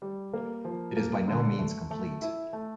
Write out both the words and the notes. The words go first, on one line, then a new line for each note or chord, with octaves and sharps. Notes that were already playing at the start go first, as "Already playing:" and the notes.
It is by no means complete.
G3
A#3
F3
A#3
D3
A3
A3
E4
A3